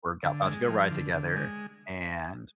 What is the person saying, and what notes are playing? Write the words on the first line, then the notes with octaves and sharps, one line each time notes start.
were g about to go ride together, and
D3
G#3
F3
D3
D3
G#3